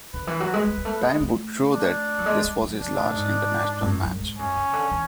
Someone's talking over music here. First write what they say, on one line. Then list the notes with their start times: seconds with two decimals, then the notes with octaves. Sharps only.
Time would show that this was his last international match.
0.14 D3 B4
0.27 E3
0.40 F#3
0.54 G#3
0.67 G#3
0.77 G#3
0.85 A3
1.02 G#3
1.20 A3
1.73 D4
2.18 F#3
2.26 G#3
2.44 G#3
2.61 F#3
2.79 C#3 D4
2.97 A2
3.15 G#2
3.81 G#2
3.85 F#2
4.04 F#2
4.20 G#2
4.38 F#2 C#4
4.56 C#3
4.73 D3
4.91 E3